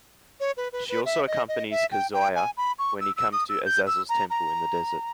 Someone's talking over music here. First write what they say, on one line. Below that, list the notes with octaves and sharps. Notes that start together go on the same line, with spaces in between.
She also accompanies Kazuya when he comes to Azazel's Temple in the desert.
C#5
B4
B4
B4
E5
D#5
D#5
E5
G5
G5
G#5
B5
C#6
E6
E6
D#6
E6
G6
E6
A#5
A#5